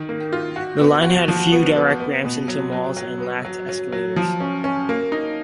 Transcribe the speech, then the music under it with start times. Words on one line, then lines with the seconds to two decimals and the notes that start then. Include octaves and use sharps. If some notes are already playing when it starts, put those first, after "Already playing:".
The line had few direct ramps into malls and lacked escalators.
Already playing: D#3
0.09 A#3
0.33 F4
0.56 F#4
0.81 B3
1.04 F#4
1.28 F3
1.52 B3
1.76 B3
2.00 B3
2.25 B2
2.48 F#3
2.72 F#3
2.97 F#3
3.20 B3
3.45 F#3
3.69 F#3
3.92 F#3
4.16 F3
4.40 C#4
4.64 C#4
4.89 A#3
5.12 D#4